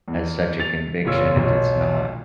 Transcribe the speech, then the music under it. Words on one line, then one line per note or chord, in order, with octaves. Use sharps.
as such a conviction if it's not
E2
A6 F7
F#1 A#2 F4 C#5 E6
B1 A#2